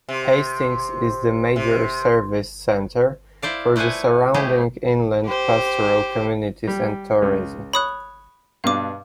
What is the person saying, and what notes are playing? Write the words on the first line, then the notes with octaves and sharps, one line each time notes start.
Hastings is the major service centre for the surrounding inland pastoral communities and tourism.
C3
C3
E4 C5 D5 F5
A3 E4 B4 C5 F#5 G#5
G#3 A3 C4 E4 G4 G#4
G4 C5
G3
C#2
C#5 B5 D#6 F#6
G2 B2 D4 F5 D6